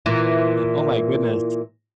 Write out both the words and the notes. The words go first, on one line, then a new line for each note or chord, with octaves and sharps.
Oh my goodness.
A#2 E3